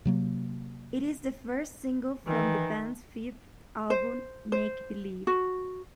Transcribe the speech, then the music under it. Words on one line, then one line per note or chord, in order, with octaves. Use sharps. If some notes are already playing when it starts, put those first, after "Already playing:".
It is the first single from the band's fifth album, "Make Believe".
C3 F#3 A#3
D#3 E3
C5
C5
F#4